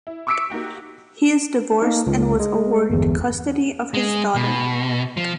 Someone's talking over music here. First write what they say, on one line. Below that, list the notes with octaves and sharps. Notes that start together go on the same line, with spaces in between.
He is divorced and was awarded custody of his daughter.
E4
C#6 D6 E6 B6 C#7 D7
A#3 D#4 F#4 G4
A#3 D#4
C#2
G#3
G1 E2
G#3
B2
F3